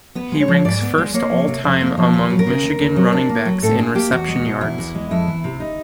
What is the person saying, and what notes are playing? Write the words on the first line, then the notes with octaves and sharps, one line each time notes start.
He ranks first all-time among Michigan running backs in reception yards.
B3 B4
G#3
C#5
F3
G#2 D5
B3
G#3
A#3 C#5
F3
C3
F2 C5
A#3
F3
D#2 B4
F#3
A#4
C#3
D#2
D#2
F#3
D4
A#3
F#3
A2 A4
D4 G#4
A#3 G4
E2 F#4
G#3
B2
E2 E4
E2
G#3
F2 E4
E3
C3
D#4